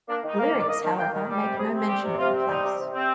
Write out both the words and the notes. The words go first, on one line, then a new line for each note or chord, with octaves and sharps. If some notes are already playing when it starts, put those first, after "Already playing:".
The lyrics, however, make no mention of the place.
A#3 D4
D#3
D#4
A#3
D#3
D5
A#3 D#5
D#3
A#3 G5
D#3
G3
C3
C3 G#4
C4
G3 G4
C3
C3 F4
C4
G3 D#4
C3
C3
C4